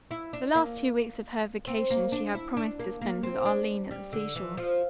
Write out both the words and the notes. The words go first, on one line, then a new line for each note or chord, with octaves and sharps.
The last two weeks of her vacation she had promised to spend with Arline at the sea-shore.
E4
D4
A#3
C4
A#3
D4
E4
D4
A#3
A#3
C4
D4
G3
D3
E3
F3